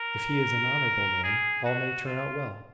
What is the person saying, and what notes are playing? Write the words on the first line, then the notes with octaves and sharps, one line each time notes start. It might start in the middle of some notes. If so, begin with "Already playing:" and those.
If he is an honourable man, all may turn out well.
Already playing: A#4
G#4
F#4
F4